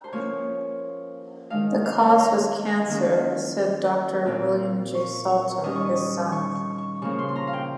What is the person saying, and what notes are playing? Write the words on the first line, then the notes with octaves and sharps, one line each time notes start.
The cause was cancer, said Doctor William J. Salter, his son.
C5
F3 A#3 C#4 C#5
D#3 G#3 D#4 F5
F5
C#5
C6
A#5
D#3 A#3 C#4
A#2 F3 C4
C#6
C#6
D#3 G3 C#4 D#6
C#6
D#6
C#6
C#6
C#6
C#3 F3 A#3 C#4 C#6
C6
C6
A#5
F5
G5